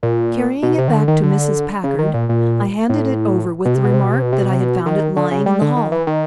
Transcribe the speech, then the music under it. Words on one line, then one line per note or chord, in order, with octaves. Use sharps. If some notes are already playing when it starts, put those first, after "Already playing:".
Carrying it back to Mrs. Packard, I handed it over with the remark that I had found it lying in the hall.
A#2
B2
C3
D#3
D3
D#3
D3
C#3
D#3
A#2
A#2
A2
B2
C3
B2
C3
B2
C3
B2
C3
B2
C3
B2
D#3
D3
C#3
G3
D3
D#3
E3
D#3